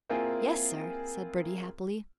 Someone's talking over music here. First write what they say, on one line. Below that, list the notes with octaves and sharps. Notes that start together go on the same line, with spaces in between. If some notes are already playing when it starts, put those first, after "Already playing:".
"Yes, sir," said Bertie happily.
A#3 C4 E4 F4 G#4 A#4